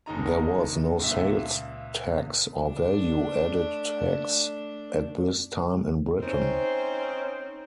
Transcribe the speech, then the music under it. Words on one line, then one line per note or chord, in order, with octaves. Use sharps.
There was no sales tax or value added tax at this time in Britain.
F#1 D#3 D#4 A#5
C#2 A#2 E5
A3 D4
C4 C#4 D#4 C5